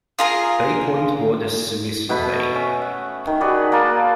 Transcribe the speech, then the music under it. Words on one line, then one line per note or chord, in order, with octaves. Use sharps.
Bay Point borders Suisun Bay.
F4 G#4 A#4
B2 A3 B5
C#4
F#5
D#3
F#4 G#4 B4 D5
A#3 B4 A5